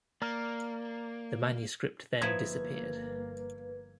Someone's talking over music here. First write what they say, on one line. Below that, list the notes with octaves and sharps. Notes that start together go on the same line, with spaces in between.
The manuscript then disappeared.
A#3 D5 A#5 F6
G1 F3 A#3 D#4 E4 B4 G#6